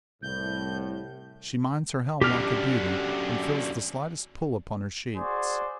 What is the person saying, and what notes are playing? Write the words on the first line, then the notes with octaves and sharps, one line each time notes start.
"She minds her helm like a beauty, and feels the slightest pull upon her sheets."
C2 A2 G6
F#2 D3 G4 F6
F#4 G#4 C5 D5